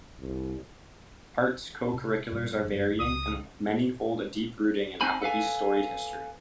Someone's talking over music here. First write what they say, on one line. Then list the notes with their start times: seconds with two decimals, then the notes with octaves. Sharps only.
Arts co-curriculars are varying and many hold a deep rooting in Appleby's storied history.
0.21 C2
1.94 C3
2.32 G#2 B2 G3
2.65 G1 F#2
3.00 C#2 D#6
5.01 C4 D#4 C5 G#5 B5
5.22 A4 B4 F5 G#5